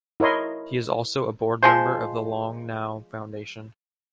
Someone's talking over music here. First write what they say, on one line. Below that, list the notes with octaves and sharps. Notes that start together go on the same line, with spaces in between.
He is also a board member of the Long Now Foundation.
E4 A#4 C#5 D#5 C6
F3 G#3 C5